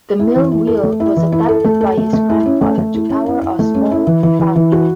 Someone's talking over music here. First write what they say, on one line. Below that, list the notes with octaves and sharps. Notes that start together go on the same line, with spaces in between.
The mill-wheel was adapted by his grandfather to power a small foundry.
E4
E3
E4
A4
A3
E4
E3
E4
A4
A3
A4
A3
A3
E4
C#4
A3
A3
E4
C#4
E4
E4
A3
C#4
E4
E3
E3
E3
E3
F#4